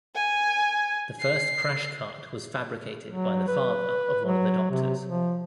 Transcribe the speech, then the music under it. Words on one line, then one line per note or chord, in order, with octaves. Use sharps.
The first crash cart was fabricated by the father of one of the doctors.
G#5
C7
F#3
B4
F#3
C3
F3